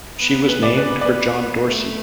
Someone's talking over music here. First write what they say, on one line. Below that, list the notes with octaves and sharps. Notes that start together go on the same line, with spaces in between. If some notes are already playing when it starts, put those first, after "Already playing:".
She was named for John Dorsey.
B3
B4
D5
B4
D5
B4
A3